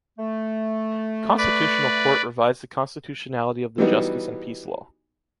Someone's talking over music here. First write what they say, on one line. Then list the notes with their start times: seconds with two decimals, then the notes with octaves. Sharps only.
The Constitutional Court revised the constitutionality of the Justice and Peace Law.
0.18 A3
1.38 B4 D5
3.78 E3 F#3 G3 B3 D#4